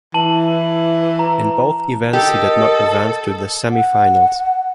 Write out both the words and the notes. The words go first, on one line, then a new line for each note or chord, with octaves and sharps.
In both events he did not advance to the semifinals.
E3 A5 F#7
A#5
G4 A4 A#4 D#5
F#5